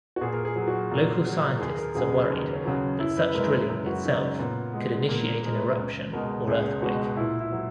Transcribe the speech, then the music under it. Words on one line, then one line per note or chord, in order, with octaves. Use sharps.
Local scientists are worried that such drilling itself could initiate an eruption or earthquake.
F#4
A#2 G#4
A#4
G#4
F#3
F#4
A#2
F#3
D#2 G#4
A#4
C#3 F#3 G#4
B4
D#2 A#4
C#4
C#3 F#3
F#2 E4
B4
B4
C#3 G#3 A#4
B4
F#2 A#4
F#4
C#3 G#3 D#4
C#4
A#2 B3
G#3 B3
A#2 A#3
G#3 A#4
B4
C#2
B2 G#3 A#4
C#2 G#4
B2 G#3 F#4
A#2 E4
E4
F#3